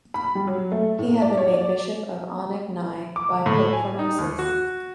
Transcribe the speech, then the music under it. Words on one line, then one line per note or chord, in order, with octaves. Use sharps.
He had been made bishop of Anagni by Pope Formosus.
B5
G3
F#3
A3
A2
D5
C#5
D5
D6
A2
G#5
D#4
D#2
F#4